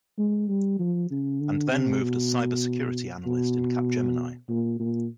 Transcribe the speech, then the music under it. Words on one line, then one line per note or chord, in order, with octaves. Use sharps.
And then moved as Cyber Security analyst in Capgemini.
G#3
G3
F3
C#3
D3
C3
B2
B2
A#2
A#2